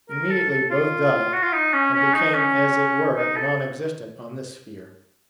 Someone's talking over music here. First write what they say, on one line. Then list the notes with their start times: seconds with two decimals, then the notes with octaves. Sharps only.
Immediately both dived, and became as it were non-existent on this sphere.
0.10 A#4
0.30 A4
0.50 A4
0.70 F4
1.33 F#4
1.43 F4
1.53 D#4
1.73 C#4
1.94 C#4
2.13 D#4
2.34 C#4
3.15 D#4
3.36 A4